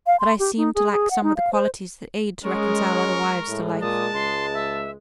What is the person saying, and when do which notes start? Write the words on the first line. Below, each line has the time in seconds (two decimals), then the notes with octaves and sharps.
But I seemed to lack some of the qualities that aid to reconcile other wives to life.
0.07 F5
0.20 C6
0.39 G4
0.57 D#4
0.75 G#4
0.92 G#4
1.11 F#5
1.23 D#4
1.37 F5
1.53 C5
2.45 G#3 C#4 A#4 C#6
3.48 A2 G#3
3.82 A#2 A5 D#6
4.14 C#2 C6
4.54 E5